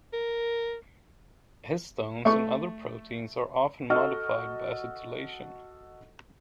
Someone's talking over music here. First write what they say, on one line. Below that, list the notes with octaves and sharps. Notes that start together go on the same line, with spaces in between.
Histones and other proteins are often modified by acetylation.
A#4
A3 C#6
F#4 A4 D#5 C#6 F6